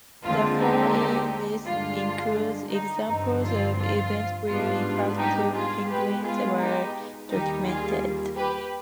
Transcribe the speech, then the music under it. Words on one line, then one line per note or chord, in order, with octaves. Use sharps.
The following list includes examples of events where impacts to penguins were documented.
D#2 D3 G#3 C4 F4
D#4 G4
G2 D3 G#3 F4
D#4
G2 D3 F3 C4 D#4
F4
F4
G#2 G3 B3 D4 F4
D#4 G4
F4 G#4
B2 G#3 B3 G4 B4
F4 G#4
D#4 G4
D#2 D#3 G3 D#4 G4
F4 G#4
G4 B4